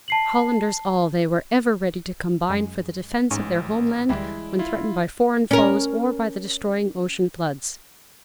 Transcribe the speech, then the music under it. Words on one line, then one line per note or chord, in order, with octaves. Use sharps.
Hollanders all, they were ever ready to combine for the defence of their homeland when threatened by foreign foes or by the destroying ocean floods.
A5 C7 F#7
F#2 G#3
A1 G#2 C#4
D2 E3 G3 G#3 E4
E4 F4
C#4 A#4